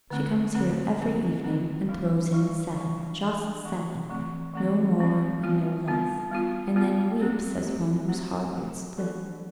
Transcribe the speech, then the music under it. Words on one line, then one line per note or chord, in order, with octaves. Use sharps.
She comes here every evening and throws in seven--just seven, no more and no less--and then weeps as one whose heart would split.
D3 A3 C4
D3 A3 C4
D3 A3 C4
D3 A3 C4
E3 G3 D4
E3 G3 D4
E3 G3 D4
E3 G3 D4
E3 A3 C4
E3 A3 C4
E3 A3 C4
E3 A3 C4
G3 B3 F4
G3 B3 F4
G3 B3 F4
G3 B3 F4
A3 C4 G4
A3 C4 G4
A3 C4 G4
A3 C4 G4
E3 B3 D4 A4 C5